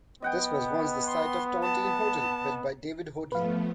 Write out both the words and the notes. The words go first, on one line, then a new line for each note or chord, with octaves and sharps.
This was once the site of the Tontine Hotel, built by David Hoadley.
B3 D#5 F#5 G5
C6
A5
F3 A3 B3 B4 F5